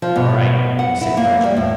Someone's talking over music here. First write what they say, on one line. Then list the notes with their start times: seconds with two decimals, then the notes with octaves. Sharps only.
"All right," he said grudgingly.
0.02 F3
0.16 B2
0.79 F#5
1.01 E4
1.17 A#3
1.44 G3
1.57 A2